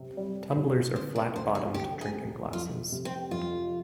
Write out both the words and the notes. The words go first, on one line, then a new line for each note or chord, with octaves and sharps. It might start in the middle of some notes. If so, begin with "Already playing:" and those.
Tumblers are flat-bottomed drinking glasses.
Already playing: C3
G3
C3
D3 C5
D5
D2 C5
G#4
D2 G4
G#4
C4
F2 F4
C3
C4
F2 F4